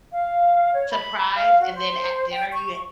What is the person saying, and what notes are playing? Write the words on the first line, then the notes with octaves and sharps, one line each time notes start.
"Surprise," and then at dinner, you
F5
C#5
B5
F5
F#4
C5
G5
C#6